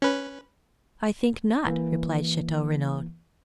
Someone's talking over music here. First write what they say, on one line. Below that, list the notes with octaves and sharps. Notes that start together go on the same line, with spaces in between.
"I think not," replied Chateau-Renaud.
C#4 B4
E3 A#3